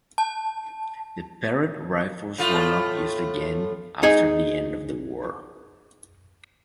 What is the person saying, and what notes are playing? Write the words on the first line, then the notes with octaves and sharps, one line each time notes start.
The Parrott rifles were not used again after the end of the war.
A5
A2 A3 F4
D#4 G#4 G#5